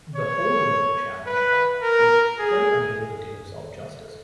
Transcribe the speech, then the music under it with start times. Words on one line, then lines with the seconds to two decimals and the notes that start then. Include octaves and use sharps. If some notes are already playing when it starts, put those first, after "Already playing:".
The holder of the challenge cup was quite unable to do himself justice.
0.15 C#5
1.26 B4
1.82 A#4
2.39 G#4